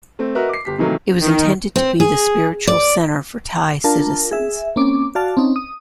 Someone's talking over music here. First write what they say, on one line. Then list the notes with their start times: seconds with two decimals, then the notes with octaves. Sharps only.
It was intended to be the spiritual centre for Thai citizens.
0.19 A3 C4
0.35 F#4 A#4 B4 D#5 E5
0.49 D6 C7
0.65 G1 G4 B6
0.78 C3 D#3 E3 F#3 A3 A#3
1.21 D#3
1.76 C4
2.00 G#4
2.67 D5
3.84 D4 F4 A#4 A5
4.31 G#4 E5
4.76 A#3 C4 C#4 D6
5.15 F#4 D5 F5 A5
5.37 C4 C#4 D#4
5.56 D#6